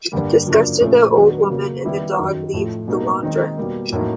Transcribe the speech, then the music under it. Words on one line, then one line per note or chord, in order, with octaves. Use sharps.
Disgusted, the old woman and the dog leave the launderette.
G2 D3 G3 A#3
F#2 C#3 F3 A#3 D4
A#2 F3 A3 C#4 E4
D#3 F#3 B3 D4
C#3 F#3 A#3
D#3 G3 B3 E4
F#2 D#3 F#3
A2 F3 A3
B2 G3 A#3 D#4
D#3 G#3 C4 D#4
B2 G3 A#3
A2 F#3 A#3 D#4